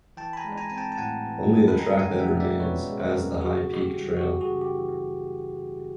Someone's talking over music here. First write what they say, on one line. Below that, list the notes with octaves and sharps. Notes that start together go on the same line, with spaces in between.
Only the trackbed remains as the High Peak Trail.
E3 G5 A5
B5
G#5 A#5
G#3
G#5 A#5
C4 G#5
G5 A5
A5
A2 F#5 G#5
E3
G#3
B5
G#3 G#5 A#5
F#5 G#5
C#4
G5
E5 F#5
B2
D5 E5
B2 B4 C#5
G#3
A#4 C5
C#4
C#3 F#4 G#4
E3
G4
G3
F#4
F#2 G4
F#4 G#4
C#3
G4
E3